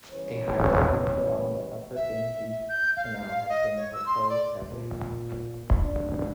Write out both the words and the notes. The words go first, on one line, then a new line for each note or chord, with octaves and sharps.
A highway running along the Upper Ganges canal has been proposed several times.
C#3 E3 G3 B4 C#5
E5
G6
F5
D#5
C#5
E6
C6
D5
A#2
D4